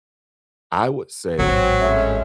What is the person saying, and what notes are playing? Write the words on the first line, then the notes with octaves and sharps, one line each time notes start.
I would say
A1 G#2 F#3 C4
G#3 A3 C#4 E5